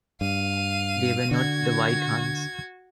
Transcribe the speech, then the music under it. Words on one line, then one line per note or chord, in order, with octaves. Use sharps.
They were not the White Huns.
G2 F5 D#7
D3 F#4 G#6